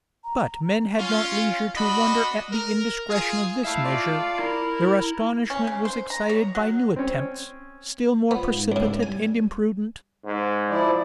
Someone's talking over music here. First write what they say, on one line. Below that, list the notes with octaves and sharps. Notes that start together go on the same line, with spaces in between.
But men had not leisure to wonder at the indiscretion of this measure: their astonishment was excited by new attempts, still more precipitate and imprudent.
A#5
C#4 F4
D4 F#4 D#5 B5
A#4
F4 G#4
E4 E5 F5 A5
F4 D5 F5
E4 A#4
C#4
C#3
C5
A#5
C#5
F#3
C4 C#4
B3 F4
G#2
C#2 A2
G3 G#5
G#2
F3 E4 D5